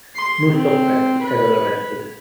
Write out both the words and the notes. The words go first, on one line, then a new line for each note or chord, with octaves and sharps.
No suspect was ever arrested.
C6
C4
B4